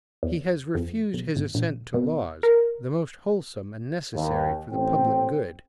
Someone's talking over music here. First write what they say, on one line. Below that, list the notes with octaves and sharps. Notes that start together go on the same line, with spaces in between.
He has refused his Assent to Laws, the most wholesome and necessary for the public good.
E2
F2
B1
G#1
A#1
B2
A#4
D#2
A1 C4 G5